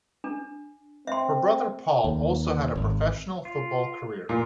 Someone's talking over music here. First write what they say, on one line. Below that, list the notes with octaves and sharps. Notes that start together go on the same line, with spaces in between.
Her brother Paul also had a professional football career.
D4
C4 E5 C6
D#2
G#1
F4
A#2 F4